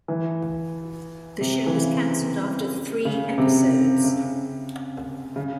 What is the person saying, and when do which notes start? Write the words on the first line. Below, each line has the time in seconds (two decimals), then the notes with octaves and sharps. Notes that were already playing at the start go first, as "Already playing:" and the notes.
The show was cancelled after three episodes.
0.08 E3
1.41 C3
1.66 E3
1.73 C#3
3.05 C#3
3.38 C3
4.04 C#3
5.36 C#3